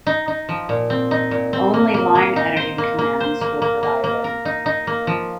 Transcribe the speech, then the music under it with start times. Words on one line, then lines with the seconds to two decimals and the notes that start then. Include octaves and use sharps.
Only line editing commands were provided.
0.07 D#4
0.28 D#4
0.49 F3
0.69 A#2
0.90 C4
1.11 D#4
1.31 A#2
1.53 C4
1.74 A#3
1.94 A#3
2.15 A#3
2.36 D#4
2.57 C5
2.78 A#3
2.98 A#3
3.20 C5
3.41 A#3
3.62 A#3
3.83 A#3
4.04 A#3
4.24 A#4
4.45 D#4
4.66 D#4
4.87 A#3
5.07 F3